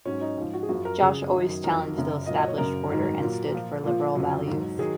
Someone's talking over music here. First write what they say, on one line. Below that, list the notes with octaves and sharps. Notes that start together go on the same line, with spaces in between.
Josh always challenged the established order and stood for liberal values.
G#2 F#3 C#4
D#4
G#2 F3
F#4
G#4
F#2 F3 F#4
A#4
F2 C#3 F#3 G#4
F#2 D#3 F#3
F2 D#3 F#3 A#4
F#2 C#3 F#3
A#2 F#3 D#5
D#5
C#5
F#2 C#3 F#3 A#4
G#2 D#3 F#3
A#2 F#3
A#2 F3
A#2 F3
F2 C#3 F#3
G#2 F#3
D#3 F#3 G#4